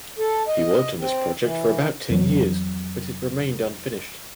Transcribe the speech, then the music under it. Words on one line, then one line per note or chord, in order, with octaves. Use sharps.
He worked on this project for about ten years but it remained unfinished.
A4
D#5
C4
E3
F2 E3 F#3